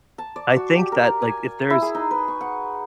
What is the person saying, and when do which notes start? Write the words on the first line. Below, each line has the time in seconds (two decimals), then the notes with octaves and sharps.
I think that, like, if there's
0.18 A5
0.36 D5
0.56 F#4
0.76 G4
0.92 A#4
1.22 G#5
1.70 E4
1.82 G#4
1.95 D#4
2.11 B4
2.28 C#6
2.41 F#5